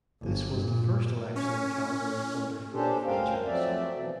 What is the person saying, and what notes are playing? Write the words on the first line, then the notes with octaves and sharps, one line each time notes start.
This was the first election in Calgary under full franchise.
G1
A#2
C#4
C#4 D4 G4 A4 C5
D2 C#4 A#4 C5 F5 G5
F3 F#3 A3 C4 D5 E5
B2 E3 F3